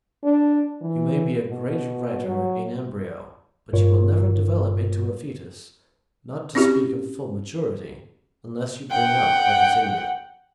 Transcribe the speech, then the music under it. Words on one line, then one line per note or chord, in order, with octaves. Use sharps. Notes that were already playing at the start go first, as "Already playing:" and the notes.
You may be a great writer in embryo, but you will never develop into a fetus, not to speak of full maturity, unless you bring out what is in you.
D4
E3
B2
F#3
G1 G2 A#2 F4 A#4 C#5
C4 C#4 E4 F#4 G4
F#5 G5